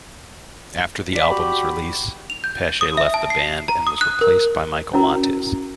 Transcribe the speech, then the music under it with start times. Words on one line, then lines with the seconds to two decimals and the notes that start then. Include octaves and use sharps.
After the album's release Pesce left the band and was replaced by Michael Montes.
1.13 D5 B6
1.30 F#4 G4 B5
2.30 F7
2.44 G6
2.81 D#6
2.97 E5
3.14 A5
3.30 C7
3.68 A#5
3.87 D#6
4.01 F#6
4.21 A#4
4.93 C#4 E4 F#4 A#4 A#5